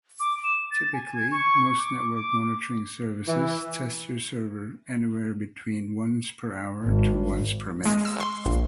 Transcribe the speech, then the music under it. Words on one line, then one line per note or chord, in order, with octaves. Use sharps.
Typically, most network monitoring services test your server anywhere between once-per-hour to once-per-minute.
D6
E7
A6
G#5
G#6
C#6
D6
D6
E3
G#1
G#3
E6
C6
A#1